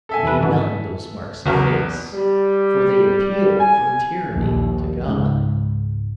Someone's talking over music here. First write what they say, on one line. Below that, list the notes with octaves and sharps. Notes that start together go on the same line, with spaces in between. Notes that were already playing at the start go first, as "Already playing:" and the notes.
May none those marks efface! For they appeal from tyranny to God.
A4 E5 G#5
E2 B4
G#2 E3 F#3
B1 E2 C#3 F#4 A#4
G3
G#5
A#1 D#2
C#2 G#2